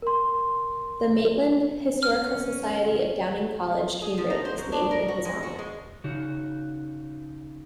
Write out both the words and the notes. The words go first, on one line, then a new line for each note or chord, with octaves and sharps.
The Maitland Historical Society of Downing College, Cambridge, is named in his honour.
A#4 C6
C#4 F6
G#4
F3
D#4
C5
F#3
D4
A#4
F#4
G#3
F#4
G#3
C#3 D#4 F#4